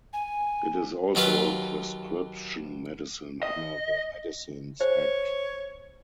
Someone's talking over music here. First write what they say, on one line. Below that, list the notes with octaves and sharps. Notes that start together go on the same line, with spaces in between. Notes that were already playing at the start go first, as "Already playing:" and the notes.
It is also a prescription medicine under the Medicines Act.
G#5
D#2 F#3 F4 B4 F5
D#5
C5 C#5